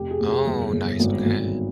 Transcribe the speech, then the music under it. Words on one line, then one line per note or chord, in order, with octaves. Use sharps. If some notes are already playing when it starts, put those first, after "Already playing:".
Oh, nice, okay.
Already playing: F1 G4
G#4
F1
G#4
G1 G#4
G1
G#1
G#1